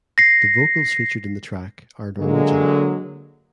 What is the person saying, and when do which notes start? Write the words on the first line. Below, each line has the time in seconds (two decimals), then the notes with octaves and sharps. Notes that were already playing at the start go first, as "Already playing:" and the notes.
The vocals featured in the track are Norwegian.
0.18 A#6 C7
2.19 D3 F#3 G#3 A#3